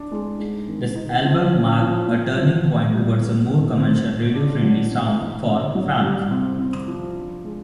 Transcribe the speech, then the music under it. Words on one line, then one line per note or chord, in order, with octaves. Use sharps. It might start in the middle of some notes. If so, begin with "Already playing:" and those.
This album marked a turning point towards a more commercial radio-friendly sound for Phranc.
Already playing: D4
G#3
G#2
D#3
D#4
F3
C#4
F3
A#2
F#3
B2
G3
B3
D#3
C4
B2
D4
F#3
C4
E3
D3
F#3
G3
C3
C4
F3
D4
G#3